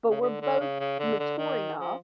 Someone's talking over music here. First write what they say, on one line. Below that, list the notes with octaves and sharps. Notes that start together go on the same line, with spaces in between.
but we're both mature enough
C#3
D3
D3
C#3
C#3
D3
D3
D#3
F3